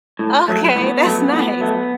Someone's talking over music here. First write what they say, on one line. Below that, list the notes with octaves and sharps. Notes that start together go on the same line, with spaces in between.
Okay, that's nice.
A2
F#3 A3
A2 B3
F#3 A3
A2 B3
F#3 A3